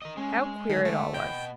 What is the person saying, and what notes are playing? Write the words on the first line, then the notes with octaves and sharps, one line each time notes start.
How queer it all was!
A#4 D#5
G#3 C#4
D3 D#3
A3
B2 G5